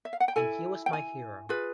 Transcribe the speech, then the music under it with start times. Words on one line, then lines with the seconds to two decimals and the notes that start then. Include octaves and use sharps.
And he was my hero.
0.05 E5
0.13 F5
0.20 F#5
0.28 G5
0.36 E4 A4 G#5
0.86 G5
0.93 G#5
1.49 F4 G#4 B4